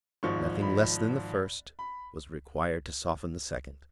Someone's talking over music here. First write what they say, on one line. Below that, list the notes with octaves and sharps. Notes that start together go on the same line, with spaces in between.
Nothing less than the first was required to soften the second.
G#1 G#2 F3 C#6
B5
B5